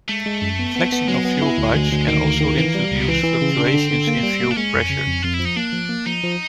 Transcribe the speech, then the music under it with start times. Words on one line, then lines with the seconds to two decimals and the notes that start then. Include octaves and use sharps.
Flexing of fuel pipes can also induce fluctuations in fuel pressure.
0.09 G#3 A3
0.26 G#3
0.42 F#2
0.59 B3
0.76 B3
0.92 B3
1.08 F#3 G#3
1.25 B3
1.42 E4
1.58 D2
1.75 D2
1.92 D2
2.07 D#3 A#3
2.24 D2
2.41 D#3
2.57 E3 A#3
2.75 G3
2.91 C#2 B3
3.08 E3 C4
3.24 E3
3.41 C#3
3.58 D4
3.74 D3
3.91 D3
4.07 A#3
4.23 G3
4.40 A#3
4.51 D4
4.57 G#3 C#4
4.74 F2
4.90 C#3
5.07 F2
5.23 F2 F4
5.34 E4
5.39 F3
5.45 D#4
5.56 A#3 D4
5.73 F3
5.89 A#3
6.06 F3 D#4
6.23 F3